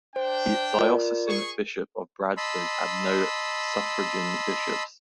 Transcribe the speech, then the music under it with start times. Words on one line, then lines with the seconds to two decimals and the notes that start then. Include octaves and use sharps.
The diocesan Bishop of Bradford had no suffragan bishops.
0.16 D4 C5 G5
0.78 F4 A#4 D5
1.28 G#4 G#5 C#6
2.37 D#5 A5 B5 C6 E6